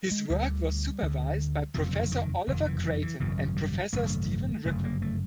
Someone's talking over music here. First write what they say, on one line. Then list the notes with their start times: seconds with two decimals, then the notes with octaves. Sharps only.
His work was supervised by Professor Oliver Creighton and Professor Stephen Rippon.
0.11 G#3
0.30 D2 D3 G3
1.02 D2 D3
1.74 F#1 F2 C3 F3
1.93 D#3
2.12 D#3
2.47 F#1 F2 C3 D#3
2.66 E3
2.84 E3
3.02 E3
3.20 G#1 F#2 C#3 E3
3.39 F3
3.56 G3
3.93 G#1 F#2 C#3 A3
4.65 G1 F#2 C#3 A3
4.84 A#3
5.02 A3